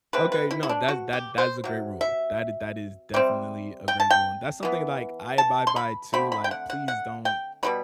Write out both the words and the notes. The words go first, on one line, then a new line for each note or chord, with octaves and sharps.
Okay, no, thats that that's a great rule, that i that is definitely a great rule, and that's something, like, I abide by too, like, "Please don't."
B2 A3 C4 B4
B4
E4
E4
D4
F#4
G4
C5
C3 F#3
E5
C3 G3 C4
G5
A5
G5
E3 B3
A5
C6
B5
D3 A3 C4 B5
B5
G5
F#5
F#5
F#5
G5
B2 G3 B3 B5